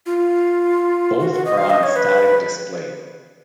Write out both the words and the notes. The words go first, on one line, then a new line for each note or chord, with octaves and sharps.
Both are on static display.
F4
F#4
F#4
D#5
F5
D#5
C#5
B4